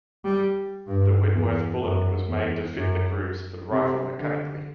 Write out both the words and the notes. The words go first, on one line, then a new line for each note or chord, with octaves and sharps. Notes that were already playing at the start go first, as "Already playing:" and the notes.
The Whitworth bullet was made to fit the grooves of the rifle mechanically.
G3
G2
E2
F#2
E2
F#2
C3
D3